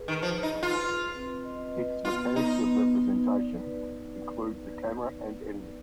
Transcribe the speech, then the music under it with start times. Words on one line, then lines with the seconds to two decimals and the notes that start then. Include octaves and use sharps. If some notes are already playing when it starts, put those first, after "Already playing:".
Its mechanics of representation include the camera and editing.
Already playing: G#4 B4
0.08 D#3
0.22 F3 B4
0.43 D#4
0.53 B4
0.63 F4
0.83 B4
1.14 C4
1.44 D#5
1.75 B4
2.05 B3 F4
2.35 B3 D#4
2.65 B3
2.96 D#4
3.27 D5
3.57 B4